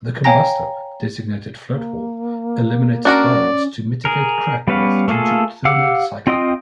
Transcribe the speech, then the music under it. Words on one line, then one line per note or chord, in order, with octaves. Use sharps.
The combustor, designated Floatwall, eliminates welds to mitigate crack growth due to thermal cycling.
C#5 F5 G5 G#5 A#5 A#6
A#3
C#4 D4 F#4 A#4 D5
G#4 A#4
G3 B3 C#4 B4 F5
A3 A#3 F4 G#4 A4
G4 F5 F#5 D6 E6
C4 F4 D#5 G5 D#6